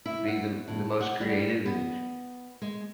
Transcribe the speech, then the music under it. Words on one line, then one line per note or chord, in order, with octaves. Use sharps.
to be the the most creative, and,
E4
F#5
A2
F#5
G3
B3
G#3